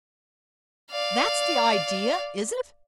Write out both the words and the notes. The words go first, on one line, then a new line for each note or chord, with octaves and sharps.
That's the idea, is it?
D5 F5